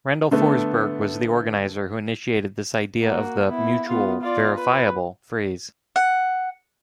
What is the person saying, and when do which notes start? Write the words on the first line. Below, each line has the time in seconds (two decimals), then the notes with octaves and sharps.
Randall Forsberg was the organizer who initiated this idea of the "mutual, verifiable" Freeze.
0.31 D3 A3 B3
3.00 A#3 F#4
3.46 B3 E4
3.88 B3 F4
4.21 F4 D5
4.55 B4
5.96 F#5